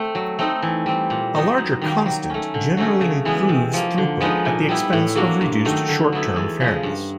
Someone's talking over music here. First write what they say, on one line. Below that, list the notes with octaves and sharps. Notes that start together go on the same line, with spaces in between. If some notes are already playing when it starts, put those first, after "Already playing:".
A larger constant generally improves throughput at the expense of reduced short-term fairness.
Already playing: A3 C4
F#3
A3 C4 D#4
E3
G3 C4
A#2
F#3 B3 D#4
F#2
D#3 G3 A#3
F#3
A3 C#4
D3
F#3 A3 C#4 F#4
C#3
E3 G#3 B3
C3
F3 A#3
D3
F3 G#3 B3 D#4
A#2
G3 B3 E4
A2
F#3 A#3 D4 F#4
G2
D#3 F#3 A3
D3
F#3 B3 E4
E2
C#3 F3 G#3
G2